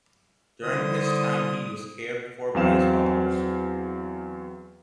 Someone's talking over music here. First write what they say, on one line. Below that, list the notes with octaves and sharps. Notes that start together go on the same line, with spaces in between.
During this time he was cared for by his followers.
D3 G3 E4 C5 D#6
E2 F#3 C4 F5 E7